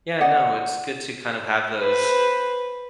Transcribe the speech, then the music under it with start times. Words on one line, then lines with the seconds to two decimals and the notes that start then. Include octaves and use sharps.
Yeah. No. It's good to kinda have those
0.20 D5 D#5 F#5
1.79 B4 C5